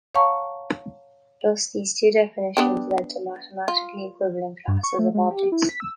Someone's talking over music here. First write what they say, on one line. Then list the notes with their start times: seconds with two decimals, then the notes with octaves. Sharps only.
Thus, these two definitions lead to mathematically equivalent classes of objects.
0.14 C#5 F5 F#5 A5 A#5 C#6
2.57 B3 D4 G4
3.68 F4
4.68 G2
4.83 C#6
4.99 A3
5.14 G#3
5.30 G4
5.52 E4
5.69 B6
5.80 E6